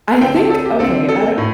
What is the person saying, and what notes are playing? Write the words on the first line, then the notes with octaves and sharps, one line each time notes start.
I think okay, I don't
D3 C4 G5
A5
A4
G4
D3 C4 A4
A4
A2